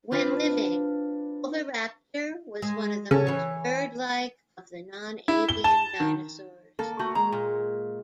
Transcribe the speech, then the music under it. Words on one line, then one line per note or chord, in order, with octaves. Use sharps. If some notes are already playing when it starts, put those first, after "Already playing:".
When living, "Oviraptor" was one of the most bird-like of the non-avian dinosaurs.
C4 D4 F4 B4
G#3
C#3 C#4 A4
E3 C#5
E4
G7
A5
D#3
A#3 A4
A3 F#4
G#3 A#5
A#2